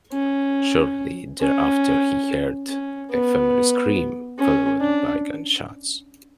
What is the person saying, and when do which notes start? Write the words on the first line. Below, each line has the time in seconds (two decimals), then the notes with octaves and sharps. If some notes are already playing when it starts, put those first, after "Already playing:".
Shortly thereafter he heard a female scream, followed by gunshots.
0.13 C#4
1.41 C#4
2.68 C#4
3.11 B3
4.38 C#4
4.80 D4